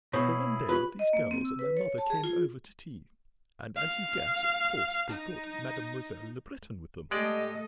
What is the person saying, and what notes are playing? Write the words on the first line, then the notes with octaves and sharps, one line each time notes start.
Well, one day these girls and their mother came over to tea, and, as you guess, of course, they brought Mademoiselle Le Breton with them.
B2 E4 G#4 C#5
F4 G4 B4
D#5
A#3
C4
E6
B4
C#5
A5
G#4
F4
F5
D#4
G#3 A3 G4 A4 D5 D#5